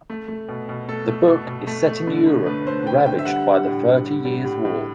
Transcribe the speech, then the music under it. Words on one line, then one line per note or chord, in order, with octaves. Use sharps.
The book is set in Europe ravaged by the Thirty Years' War.
A3
A3
B2
B2
A3 A4
A3
B2
B2
A3
A3
D3
D3
A3 B4
A3 C5
D3 G5
D3 G5
E5
G3 F#5
G3
A2
A2
G3
G3
A2
A2